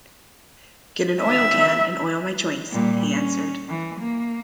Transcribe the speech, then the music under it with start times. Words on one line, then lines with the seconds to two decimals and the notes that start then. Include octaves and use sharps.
"Get an oil-can and oil my joints," he answered.
1.22 E5
2.72 A#2 G3
3.14 C#4
3.69 E3
4.00 A#3